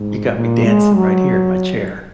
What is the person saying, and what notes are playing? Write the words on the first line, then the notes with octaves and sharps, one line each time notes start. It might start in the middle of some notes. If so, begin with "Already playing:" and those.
you got me dancing right here in my chair.
Already playing: G#2
A#2
G#3
F#3